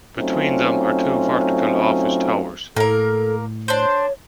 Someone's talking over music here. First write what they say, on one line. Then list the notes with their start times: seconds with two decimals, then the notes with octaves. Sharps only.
Between them are two vertical office towers.
0.19 F#3 A3 C4 C#4 D#4 F4
2.76 A2 A#3 A4 A#4
3.68 D4 C5 C#5